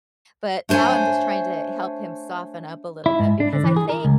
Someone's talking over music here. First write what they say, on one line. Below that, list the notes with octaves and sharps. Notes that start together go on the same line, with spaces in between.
but now I'm just trying to help him soften up a little bit, because I think
A3 D4 C5 C#5 G#5
E4
G#2
D4
D3
E3
G#4
A#4
C#2